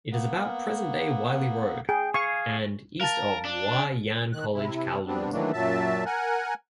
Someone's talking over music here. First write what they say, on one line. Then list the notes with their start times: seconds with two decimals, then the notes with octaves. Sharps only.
It is about present-day Wylie Road and east of Wah Yan College, Kowloon.
0.12 A#3 B3
1.89 G#4 G5
2.14 G#4 F5 G#5 C#6
3.01 A#4 F5 A5 A6
3.45 D4
4.33 D#3 F#6
4.54 C3 E4
5.07 G3 B3 C4 D4
5.32 D#3 E3 F#3 A3 A#3 D4
5.53 F#2 A#2 F#3 E5 A5
6.06 A#4 F#5 G#5